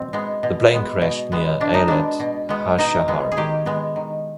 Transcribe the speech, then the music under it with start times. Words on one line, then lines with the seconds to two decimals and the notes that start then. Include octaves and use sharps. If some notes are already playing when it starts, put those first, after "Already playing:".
The plane crashed near Ayelet HaShahar.
Already playing: B2 C4
0.13 G#3 B3
0.43 B2
0.73 G#3 B3
1.02 B2
1.32 G#3 B3
1.61 B2 D4
1.74 D#4
1.88 G#3 B3 D4
2.20 B2
2.49 G#3 B3
2.78 B2 D#4
3.08 G#3 B3
3.32 G#4
3.37 D#3 G4
3.66 G#3 B3
3.96 D#3